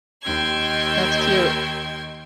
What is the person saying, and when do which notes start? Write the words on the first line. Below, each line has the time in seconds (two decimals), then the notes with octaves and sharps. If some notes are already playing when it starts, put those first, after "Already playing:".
That's cute.
0.22 D#2 D#3 G5 C6 G#6